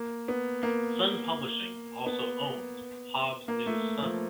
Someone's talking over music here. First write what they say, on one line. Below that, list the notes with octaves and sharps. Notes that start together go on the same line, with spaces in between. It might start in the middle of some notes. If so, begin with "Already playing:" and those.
Sun Publishing also owns the Hobbs News-Sun.
Already playing: A#3
B3
A#3
B3
A#3
A3
F3